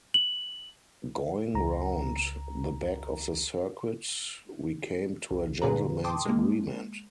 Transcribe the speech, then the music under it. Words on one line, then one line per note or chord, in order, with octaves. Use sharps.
Going round the back of the circuit we came to a gentleman's agreement.
F#7
C#2 A#5
C2
A#2 D3 G#4 B4 A#5
G5 A5 C6 D6 D#6
G#3 A#3